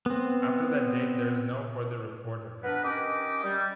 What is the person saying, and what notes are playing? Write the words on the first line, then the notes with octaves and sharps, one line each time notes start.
After that date, there is no further report of him.
B3 C4
B3 D4 A#4 B4
D#3 C#4 G4 D#5 D6
G3